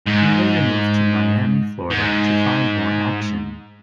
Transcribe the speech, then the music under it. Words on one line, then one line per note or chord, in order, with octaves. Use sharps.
He later moved to Miami, Florida, to find more action.
G#2
G#2